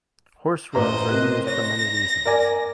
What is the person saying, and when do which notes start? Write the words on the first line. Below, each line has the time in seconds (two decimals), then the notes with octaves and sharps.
Horse rugs are used for many reasons.
0.75 A1 B4 C5 D#5 A#5
1.09 C3 A#4 F#6
1.47 C#5 A#6
2.25 A#4 D5 G#5